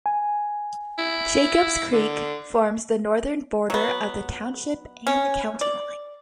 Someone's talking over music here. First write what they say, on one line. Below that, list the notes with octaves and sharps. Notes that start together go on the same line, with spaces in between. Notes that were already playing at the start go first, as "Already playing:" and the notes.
Jacobs Creek forms the northern border of the township and the county line.
G#5
E4
D3
F#3 B3
C#4
D5